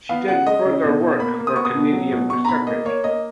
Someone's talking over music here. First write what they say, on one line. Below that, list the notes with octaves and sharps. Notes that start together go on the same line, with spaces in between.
She did further work for Canadian Pacific.
B3 F5
C#3 F#5
G#3 D#5
C#3
B2
B2
A#3 B5
A#3
D#6
B3 C#6
D#6
B2
F#3
B2
B2 C#6
A#5
B2 B5
A#3 D#5
A#3 C#5
A#3 D#5